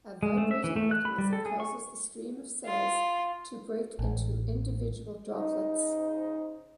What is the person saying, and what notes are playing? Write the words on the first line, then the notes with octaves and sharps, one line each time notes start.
A vibrating mechanism causes the stream of cells to break into individual droplets.
G#3
A3
E5
E3
A3
F#6
B5
G3
A4
G#4
C#6
F4
A1
C#3 D#4 C5 D#5